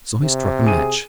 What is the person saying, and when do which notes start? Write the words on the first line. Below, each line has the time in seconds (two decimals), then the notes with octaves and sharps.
So he struck a match.
0.22 C3
0.66 G#4 D#7